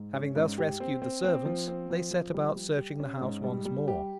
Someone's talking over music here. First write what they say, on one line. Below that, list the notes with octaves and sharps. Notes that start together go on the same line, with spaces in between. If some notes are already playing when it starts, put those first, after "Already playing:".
Having thus rescued the servants, they set about searching the house once more.
Already playing: G#2
C#4
G#2
G4
C4
C4
C4
F3
C4
F3
F3
G3
G3
G4
C#4
G#2
G3
G3
G4